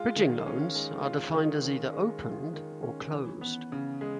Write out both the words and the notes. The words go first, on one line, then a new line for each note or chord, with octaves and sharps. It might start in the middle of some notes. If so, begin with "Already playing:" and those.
Bridging loans are defined as either 'opened' or 'closed'.
Already playing: G#3 F4
D#3
C#4
G#3
F4
D#3
C#4
G#3
F4
D#3
C#4
E3
B3
C#3
G#3